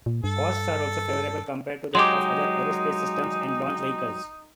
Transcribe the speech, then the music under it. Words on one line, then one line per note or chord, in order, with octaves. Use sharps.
Costs are also favourable compared to that of other aerospace systems and launch vehicles.
A#2
G2 A4
F#3 G#3 D#4 G4 C6 D6